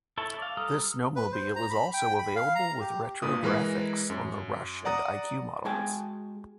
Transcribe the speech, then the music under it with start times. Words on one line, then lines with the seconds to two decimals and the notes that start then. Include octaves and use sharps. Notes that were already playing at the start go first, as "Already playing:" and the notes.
This snowmobile is also available with retro graphics on the Rush and Iq models.
0.17 E4 A4 C#5 E5 A5
0.39 D5 F5
0.57 G3 A4 A#5 D#6 F6
1.16 B4
1.32 C5
1.56 A#5
1.70 B5
1.94 G5
2.19 B5
2.36 F5
2.55 A#5
2.80 G4
3.22 G2 A#2 B4 D#6
3.43 E3 G#3 A#4 B4
4.10 F#2
4.85 D5 F#5 A#5 D#6
5.65 G#3 F#4 G#4 G5 A5